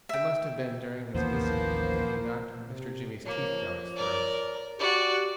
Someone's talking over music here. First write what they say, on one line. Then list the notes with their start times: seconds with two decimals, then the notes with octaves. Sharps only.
It must have been during this visit that he knocked Mr Jimmy's teeth down his throat.
0.09 E5 G5
1.14 A1 D#2 E3 F3 A#3 B3 C5
2.67 C3
3.26 F3 A#3 C#5
3.96 A#4 D5
4.79 F#4 G4 D5